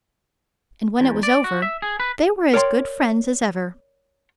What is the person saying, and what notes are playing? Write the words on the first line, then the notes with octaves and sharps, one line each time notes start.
And when it was over, they were as good friends as ever.
E2
D5
F#4
E5
G#4
B4
A#4 C#5 D5 G5 G#5 C6